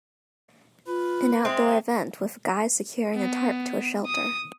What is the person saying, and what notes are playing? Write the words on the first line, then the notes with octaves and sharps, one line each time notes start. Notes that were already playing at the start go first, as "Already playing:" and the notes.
An outdoor event with a guy securing a tarp to a shelter.
F4 B4
G#3 C4 E5
B3
D#6